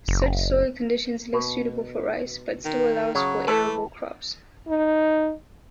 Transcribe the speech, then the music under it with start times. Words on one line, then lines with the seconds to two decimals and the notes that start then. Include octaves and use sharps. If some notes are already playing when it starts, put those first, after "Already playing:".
Such soil conditions less suitable for rice, but still allows for arable crops.
0.08 F#1
1.33 B2
2.65 D#3
3.15 C#3 F#3
3.48 E3 A3 E4 A4
4.68 D#4